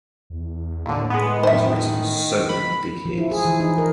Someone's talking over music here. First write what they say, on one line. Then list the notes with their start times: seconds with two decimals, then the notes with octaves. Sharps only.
He’s written so many big hits.
0.30 E2
0.86 D#2 A2 D3
1.10 A2 G#3 B3
1.43 D#3 C5 E5
2.49 F3 B5
3.05 F3
3.18 E4
3.31 G#4
3.45 E3
3.60 D#4
3.78 A#4